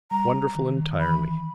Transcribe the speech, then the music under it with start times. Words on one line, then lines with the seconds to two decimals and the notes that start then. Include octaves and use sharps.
Wonderful entirely.
0.11 G3 A#5
0.55 D#3
0.77 D#3
0.99 E3 B5